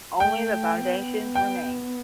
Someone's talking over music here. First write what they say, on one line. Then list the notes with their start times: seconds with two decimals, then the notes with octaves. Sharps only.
Only the foundations remained.
0.20 A3 G5
0.78 B3
1.35 G5